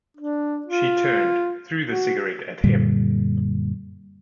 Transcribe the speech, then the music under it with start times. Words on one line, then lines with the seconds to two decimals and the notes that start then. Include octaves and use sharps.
She turned, threw the cigarette at him.
0.17 D4
0.66 F4
1.89 F#4
2.64 F#2 A#2 D3 G3